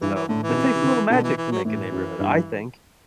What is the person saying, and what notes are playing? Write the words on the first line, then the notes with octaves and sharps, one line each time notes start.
So, it takes a little magic to make a neighborhood, I think,
G2 E3
E3
A2 D3
E3
B2
C3
C3
D3
B2 D3
E3
E3
F#3
A2 E3
F#2
G2